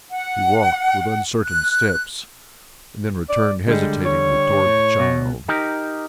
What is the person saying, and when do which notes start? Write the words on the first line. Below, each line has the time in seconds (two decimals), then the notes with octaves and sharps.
He walked with uncertain steps and then returned hesitatingly towards the child.
0.13 F#5
1.45 F#6
3.29 D5
3.68 D3 G3 G#3
4.05 C#5
4.66 A2
4.99 B2
5.48 D#4 G4 A#4